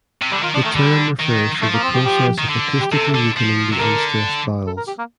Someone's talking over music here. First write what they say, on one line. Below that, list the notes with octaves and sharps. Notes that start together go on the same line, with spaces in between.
The term refers to the process of acoustically weakening the unstressed vowels.
C3
D3 G3
D#3 F4
F3 D4
D#3 A3
D3 G3
D#3
F3 A3
A#3
C4
G4
G4
D#3
D3
G4
C3 A4
D3
F3
C3
D3 A#4
A4
A#4
G4
A#3